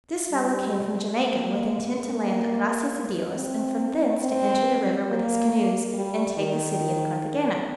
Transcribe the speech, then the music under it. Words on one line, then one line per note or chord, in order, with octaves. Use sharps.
This fellow came from Jamaica, with intent to land at Gracias a Dios, and from thence to enter the river with his canoes, and take the city of Carthagena.
G3
A#3
A#3
C4
C4
A#3
G3
D#3